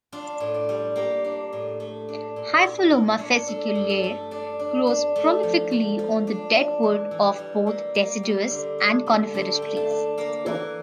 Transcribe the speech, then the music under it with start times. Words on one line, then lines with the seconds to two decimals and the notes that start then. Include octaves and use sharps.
"Hypholoma fasciculare" grows prolifically on the dead wood of both deciduous and coniferous trees.
0.12 D4 F4
0.40 A2
0.54 D5
0.69 G3
0.96 A#3 G4
1.24 D4
1.53 A2
1.80 A3
2.09 D4
2.36 A#2
2.64 A#2 E4
2.91 A#2 A#4
3.19 D4 C#5
3.48 D4 A4
3.75 G2
3.90 A4
4.04 A3
4.31 D4 D5
4.59 D4
4.87 D4
5.16 A3
5.43 F3
5.71 A3
5.99 F3
6.27 D4
6.55 D4
6.83 E3
7.11 E3
7.38 G3
7.67 A#3 E5
7.95 A#3
8.23 G3
8.50 D3
8.78 D4
9.07 D3
9.34 D3 A5
9.55 G5
9.62 A3
9.77 A5
9.91 D4
10.18 A#3 F5
10.46 E3